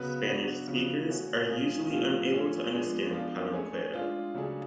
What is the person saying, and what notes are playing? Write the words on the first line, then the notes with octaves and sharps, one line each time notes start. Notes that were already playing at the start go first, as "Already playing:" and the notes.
Spanish speakers are usually unable to understand Palenquero.
Already playing: C#3 F#3 B3 F#4 B4
F#3 B3 D4 F#4
C#3 F3 B3 F#4
A3 C#4 F#4
B2 G#3 C#4 F4 G#4
A2 F3 B3 F4
A2 F3 A3 C#4 F4
F3 G#3 B3 D4
F3 B3 D4 F4
A3 C#4 G#4
G#3 D4 F4
C#3 F#3 A3 D4 G#4